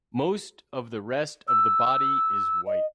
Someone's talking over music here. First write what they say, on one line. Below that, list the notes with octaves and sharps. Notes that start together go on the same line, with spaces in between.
Most of the rest of the body is white.
E6
D#5